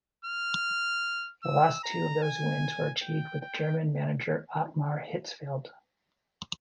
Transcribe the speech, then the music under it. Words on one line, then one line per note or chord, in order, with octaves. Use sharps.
The last two of those wins were achieved with German manager Ottmar Hitzfeld.
F6
E6
A#5
G#5
G5
G5